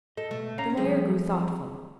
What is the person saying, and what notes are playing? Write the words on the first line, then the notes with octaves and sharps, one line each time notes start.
The lawyer grew thoughtful.
A4 D#5
B2 A3
C#4 F5 A#5
F3 G3 A3 C4 G#4